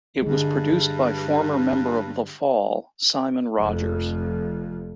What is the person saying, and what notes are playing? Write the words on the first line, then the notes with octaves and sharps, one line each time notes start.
It was produced by former member of The Fall, Simon Rogers.
G2 D3 G#3
F1 F2